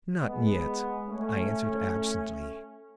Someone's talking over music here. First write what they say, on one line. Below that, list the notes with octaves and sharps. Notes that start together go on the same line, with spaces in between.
"Not yet," I answered absently.
G#3 B3
A3 C#4